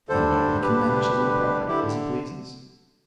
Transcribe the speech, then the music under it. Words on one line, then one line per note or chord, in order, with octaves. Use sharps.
"Then nobody can manage his own property as he pleases?"
D2 D3 G3 D4 A4 C5
D2 D3 G3 D4 G4 B4
D2 D3 G3 D4
D3 E4 G4